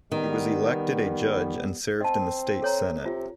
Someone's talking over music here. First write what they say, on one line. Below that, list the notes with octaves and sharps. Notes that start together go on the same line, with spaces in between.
He was elected a judge and served in the state senate.
D#3 G3 B3
C4 D#5 A5
A4 C#5 A#5
C3 F4